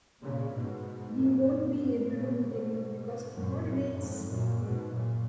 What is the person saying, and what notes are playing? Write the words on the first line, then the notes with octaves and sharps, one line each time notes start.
We won't be able to meet anyone because of the holidays.
A#2 C#3
G#2 B2
F#2 A#2
G#2 B2
A#2 C#3
G#2 B2
F#2 A#2
F#2
F2 G#2
F#2 A#2
G#2 B2
F#2 A#2